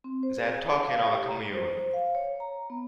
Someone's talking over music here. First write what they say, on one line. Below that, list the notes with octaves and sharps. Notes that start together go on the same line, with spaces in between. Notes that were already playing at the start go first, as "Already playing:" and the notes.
They are talking of a Commune.
C4
C5
G#4
C#5
F5
G4
A#5
C5
F5
C#5
A#5
B3